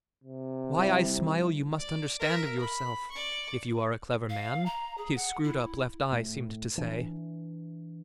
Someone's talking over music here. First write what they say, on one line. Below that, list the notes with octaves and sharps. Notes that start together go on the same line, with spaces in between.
"Why I smile you must understand of yourself, if you are a clever man," his screwed-up left eye seemed to say.
C3
G3 E4
D5
A#4 E5
B5
D5 C#6
F5
A#5
G#4
F#5
E4
A2
E3 D4